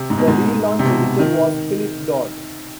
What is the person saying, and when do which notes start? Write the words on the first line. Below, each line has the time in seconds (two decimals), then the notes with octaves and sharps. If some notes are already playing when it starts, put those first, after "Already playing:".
The relaunch editor was Philip Dodd.
Already playing: C3
0.10 G#2
0.18 B2
0.28 G#2
0.79 C3
0.85 B2
1.19 D#3